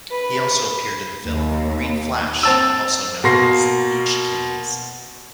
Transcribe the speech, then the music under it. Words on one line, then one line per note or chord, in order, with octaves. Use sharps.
He also appeared in the film "Green Flash", also known as "Beach Kings".
B4
D#2
C4 A5 E6
B2 A#3 C6 A#6 C7